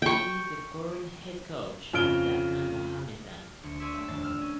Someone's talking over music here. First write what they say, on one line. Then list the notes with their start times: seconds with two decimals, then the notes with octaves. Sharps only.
He is the current Head Coach of Dhaka Mohammedan.
0.02 G5 C#6
1.93 F2 C#3 F6 D7 G7
3.63 D2 C#7
3.80 G#4 C#5 D5 C6 E6 B6
3.94 A3 A#3 G4 E5
4.08 D#1 F2 D4 A6
4.23 E6 F6
4.41 C#4